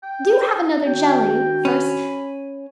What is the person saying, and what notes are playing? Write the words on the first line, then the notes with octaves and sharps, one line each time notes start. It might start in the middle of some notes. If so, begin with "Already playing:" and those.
Do have another jelly first.
G5
D#3 D4 F#4 G5
C#4 B5